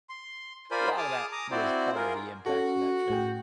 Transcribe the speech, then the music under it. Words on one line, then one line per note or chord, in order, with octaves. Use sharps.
a lot of that was part of the impact of that trip.
C6
F4 A#4 C5 D5 G#5 B5
G#4 A5 D6 D#6 F6
A#5 D6 D#6
C4 E4 F#4 C5 D5
F4 G#4 A#4
C#4 F#4 A4
A2 G#4 G5